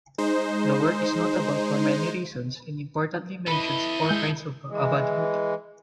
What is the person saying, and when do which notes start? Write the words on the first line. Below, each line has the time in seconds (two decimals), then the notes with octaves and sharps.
The work is notable for many reasons and importantly mentions four kinds of Avadhuta.
0.18 G#3 D#4 C5
3.47 E4 A4 B4 D#5
4.09 G#3 G6
4.69 E3 G#3